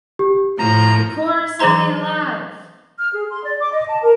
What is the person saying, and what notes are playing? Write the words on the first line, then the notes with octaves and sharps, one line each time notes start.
The chorus of the Alive!
G4
A2 F3 A#5 A#6
E3 F#3 G#4 C5 A#5 C6
F6
G#4
C6
D5
D6
D#5
A5
A#4